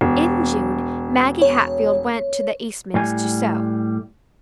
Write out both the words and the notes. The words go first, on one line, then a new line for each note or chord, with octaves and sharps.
In June Maggie Hatfield went to the Eastmans' to sew.
E1
C#5
A2 G3 G#5